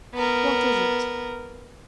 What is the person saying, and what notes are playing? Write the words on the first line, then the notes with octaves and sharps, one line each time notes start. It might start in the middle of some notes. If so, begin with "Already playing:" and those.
"What is it?"
B3 A#4